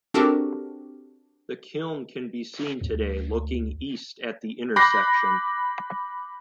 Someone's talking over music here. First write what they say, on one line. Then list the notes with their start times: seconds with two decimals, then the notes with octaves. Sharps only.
The kiln can be seen today looking east at the intersection.
0.14 C4 D4 F#4 G4 A4 A#4
2.81 D2
4.76 B5 D6 F#6 G6 A#6 C7